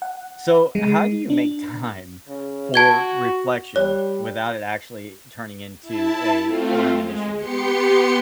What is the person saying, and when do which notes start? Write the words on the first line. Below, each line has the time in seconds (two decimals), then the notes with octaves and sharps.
So how do you make time for reflection without it actually turning into a rumination?
0.02 F#5
0.75 G#3
1.30 D4
2.28 C#3
2.74 F#4 A5 G#6 G7
3.76 G3 C#5
5.81 E4 A5
6.44 A3 C4 F4
6.97 G#3
7.37 B3 G4 C6 C#7